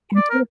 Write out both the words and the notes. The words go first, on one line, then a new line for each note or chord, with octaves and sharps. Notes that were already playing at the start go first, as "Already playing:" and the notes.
You do it.
D5
A#4